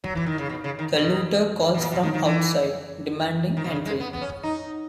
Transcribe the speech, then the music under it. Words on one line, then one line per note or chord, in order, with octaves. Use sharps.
The looter calls from outside, demanding entry.
F#3
E3
D#3
C#3
B2
C#3
D#3
B2
B2
A#2
B2
D#3
D#3
E3
D#3
B2
C#3
G#3
B3
B3
C#4
D#4